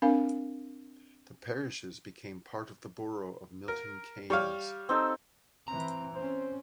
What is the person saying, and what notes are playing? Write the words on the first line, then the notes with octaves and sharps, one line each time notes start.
The parishes became part of the borough of Milton Keynes.
C4 D4 A#4 F5
A#4
G3 C#5 F5
C4 D#4 A4
E3 C4 A#5
C4 C#4 C5